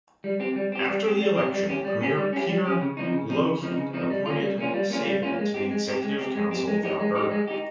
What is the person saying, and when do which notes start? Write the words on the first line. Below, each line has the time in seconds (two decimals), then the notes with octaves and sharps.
After the election Premier Peter Lougheed appointed Shaben to the Executive Council of Alberta.
0.24 G3
0.40 C4 G4
0.56 G3
0.72 C4 G4
0.88 G3
1.04 C4 G4
1.20 G3
1.36 C4 G4
1.53 G3
1.69 C#4 G4
1.85 G3
2.01 C#4 G4
2.17 G3
2.33 C#4 G4
2.49 G3
2.65 C#4 G4
2.81 C#3
2.97 F3 C4 D#4
3.13 C#3
3.29 F3 C4 D#4
3.46 C#3
3.62 F3 C4 D#4
3.77 C#3
3.93 F3 C4 D#4
4.10 G3
4.26 A#3 C#4 F4
4.42 G3
4.58 A#3 C#4 F4
4.74 G3
4.90 A#3 C#4 F4
5.06 G3
5.23 A#3 C#4 F4
5.38 G#3
5.54 C4 G4
5.71 G#3
5.87 C4 G4
6.03 G#3
6.19 C4 G4
6.35 G#3
6.51 C4 G4
6.68 G#3
6.83 D#4 G4
7.00 G#3
7.15 D#4 G4
7.31 G#3
7.48 D#4 G4